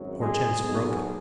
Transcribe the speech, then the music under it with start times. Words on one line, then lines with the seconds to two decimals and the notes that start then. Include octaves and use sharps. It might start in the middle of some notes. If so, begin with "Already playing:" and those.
Hortense broke it.
Already playing: G#1 F#2 F#3
0.19 G#3 G#4
0.57 B1 B2 G#3